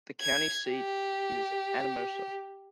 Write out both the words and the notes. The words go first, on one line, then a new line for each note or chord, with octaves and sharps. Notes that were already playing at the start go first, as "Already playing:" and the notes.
The county seat is Anamosa.
G#6
G4